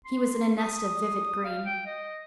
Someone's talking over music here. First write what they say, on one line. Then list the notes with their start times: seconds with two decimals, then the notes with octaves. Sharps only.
He was in a nest of vivid green.
0.05 C6
0.58 D#6
1.44 F5
1.66 G5
1.86 D#5